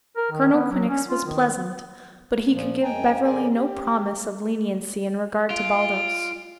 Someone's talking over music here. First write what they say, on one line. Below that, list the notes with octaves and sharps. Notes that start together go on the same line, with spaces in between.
Colonel Quinnox was pleasant, but he could give Beverly no promise of leniency in regard to Baldos.
A#4
D#3
B3
F#3
C#4
F4
D#3
A#2 F3
F#2 G#3 G5 G#5 A#5
F2 C#3 G#4 A#4 D5 G#5
G4
F4 D7